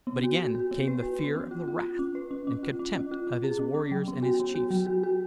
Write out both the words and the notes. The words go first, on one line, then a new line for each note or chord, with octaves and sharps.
But again came the fear of the wrath and contempt of his warriors and his chiefs.
B3
F#4
F#4
F#4
B3
B4
F#4
B3
C#4
F4
F4
F4
C#4
B4
C#4
C#4
F4
C#4
C#4
F4
C#4
G#4
C#4
C#4
F#3
B3
F#4
B3
F#4
F#3
F#4
F#4